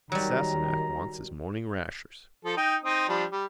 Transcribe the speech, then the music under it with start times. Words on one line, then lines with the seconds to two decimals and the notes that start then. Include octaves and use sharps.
The Sassenach wants his morning rashers.
0.12 D#3 F#3 G3 A#5
2.45 F3 A4
2.57 D#4 G5
2.84 C4 D#4 D#6
3.09 F3 G3 D4
3.32 G3